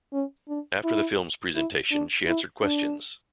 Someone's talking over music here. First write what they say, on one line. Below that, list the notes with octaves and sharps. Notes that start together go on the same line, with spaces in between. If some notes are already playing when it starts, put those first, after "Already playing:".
After the film's presentation, she answered questions.
C#4
D4
E4
E4
D4
E4
D4